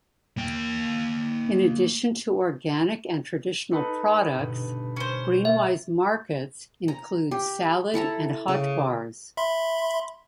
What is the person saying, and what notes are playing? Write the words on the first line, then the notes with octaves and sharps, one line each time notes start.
In addition to organic and traditional products, GreenWise Markets include salad and hot bars.
A#3 G5
D#4 A4 B4
G1 B2
C#4 C5
E5
A#5
G4
E4 A4 A5 A#5
C#3
E5 B5 C6